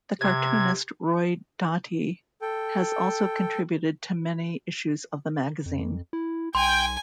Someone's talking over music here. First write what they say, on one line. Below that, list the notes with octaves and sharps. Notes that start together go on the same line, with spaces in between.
The cartoonist Roy Doty has also contributed to many issues of the magazine.
C3 G#6
A4 G5
F2
E4
B1 G5 G#5 C6